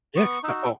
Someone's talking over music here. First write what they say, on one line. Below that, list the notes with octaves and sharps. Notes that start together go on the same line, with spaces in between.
Yeah, uh, well,
B3 C#6
D#4 F#4 E6